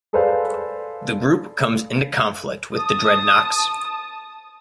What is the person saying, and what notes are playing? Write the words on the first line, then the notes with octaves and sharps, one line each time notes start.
The group comes into conflict with the Dreadnoks.
G#4 A4 B4 C5 D5 F5
A5 D#6